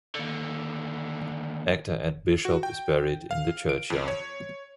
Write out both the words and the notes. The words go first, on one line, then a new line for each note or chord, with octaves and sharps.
Actor Ed Bishop is buried in the churchyard.
D#2 D3
F#4
G5
F5
D7
F2
C#5